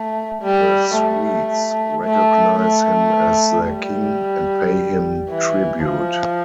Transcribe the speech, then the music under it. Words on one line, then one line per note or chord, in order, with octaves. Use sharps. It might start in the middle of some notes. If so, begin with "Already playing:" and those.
The Swedes recognize him as their king, and pay him tribute.
Already playing: A3
G3
A3
A3
A3
G3
E3
F3